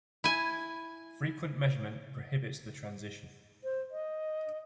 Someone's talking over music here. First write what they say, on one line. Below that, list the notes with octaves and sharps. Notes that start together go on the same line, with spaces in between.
Frequent measurement prohibits the transition.
E4 G#5
C5
D#5